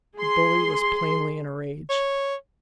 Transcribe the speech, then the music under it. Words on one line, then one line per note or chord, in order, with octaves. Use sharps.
The bully was plainly in a rage.
G#4 C6
C#5